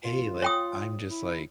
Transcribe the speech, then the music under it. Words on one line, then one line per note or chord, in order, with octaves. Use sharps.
hey. Like, I'm just like,
F4
C#5 G5 D#6
E4